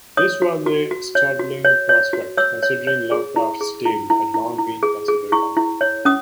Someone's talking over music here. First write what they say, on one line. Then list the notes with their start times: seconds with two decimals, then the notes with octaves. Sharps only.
This was a startling prospect considering Lovecraft's tale had long been considered unfilmable.
0.17 C#5 D#6
0.42 F#4
0.66 F#4
0.91 F#4
1.15 C#5
1.39 F#4
1.64 C#5
1.89 C#5
2.13 F#4
2.37 C#5 E6
2.63 C#5
2.87 C#5
3.11 G#4
3.36 E4
3.61 G#4
3.86 E4
4.10 E4
4.34 E4
4.58 E4
4.83 G#4
5.08 G#4
5.32 E4 C#6
5.57 E4
5.81 C#5
6.05 C#4 D#6